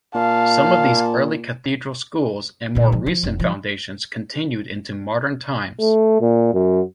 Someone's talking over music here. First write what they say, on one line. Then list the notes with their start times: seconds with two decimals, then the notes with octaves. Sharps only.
Some of these early cathedral schools, and more recent foundations, continued into modern times.
0.15 A#2 F5 A5
2.75 D2 A#2
2.92 F3
3.06 F3
3.23 F1
3.40 F3
5.79 A3
6.21 A#2
6.54 F#2